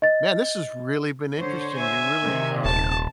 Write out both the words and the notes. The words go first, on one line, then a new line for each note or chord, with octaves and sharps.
man, this has really been interesting, you really, um,
D#5 A6
D3 C5 C#5
E5 G#5
C3 D#3
D#1 A5